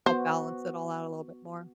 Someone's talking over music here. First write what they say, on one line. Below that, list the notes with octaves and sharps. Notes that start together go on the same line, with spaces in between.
Help balance it all out a little bit more.
B3 F#4 C5